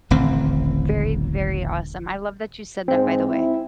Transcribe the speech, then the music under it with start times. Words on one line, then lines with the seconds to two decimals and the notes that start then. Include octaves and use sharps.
Very, very awesome. I love that you said that, by the way.
0.10 D#1 A1 D3 C4
2.88 G#2 C4
3.29 E4